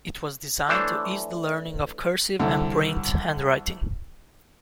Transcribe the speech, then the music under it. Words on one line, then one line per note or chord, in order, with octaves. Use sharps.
It was designed to ease the learning of cursive and print handwriting.
E3 A3 D4 C5 C#5
C2 D3